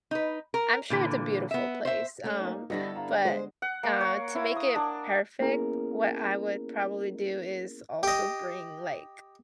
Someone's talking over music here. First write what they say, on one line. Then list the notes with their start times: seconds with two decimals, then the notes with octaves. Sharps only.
I'm sure it's a beautiful place, um, but, uh, to make it perfect, what I would probably do is also bring, like,
0.11 D#4 B4
0.54 A#4
0.90 A#2 D3 E3
1.51 B3 E5
1.85 C5 E5
2.24 A3 C#4
2.40 A#3 D#4
2.70 G2 D3 G3 B3 E4 A4 D#5 A#6
2.96 F5 A#5
3.25 G#3 C5
3.62 F#5
3.83 A#3
4.01 C#5
4.35 E4
4.56 D#6
4.76 D4
5.40 A#3 B3 C#4 E4 G#4 A#4
8.03 G4 D#5